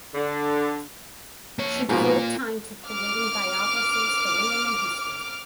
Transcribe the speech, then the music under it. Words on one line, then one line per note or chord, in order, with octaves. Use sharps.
She devoted tine to creating biographies for woman in history.
D3
A#3 C#5
G#2 B2 F3 A#3 F4
D6 F6